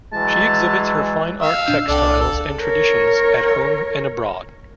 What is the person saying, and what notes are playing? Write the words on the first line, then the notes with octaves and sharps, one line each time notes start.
She exhibits her fine art textiles and traditions at home and abroad.
E3 F#3 G#3 A5
F5 E6
A#2 D4 G6
C2 D4 A4 G5
G1 D2 A4
A#4 C#5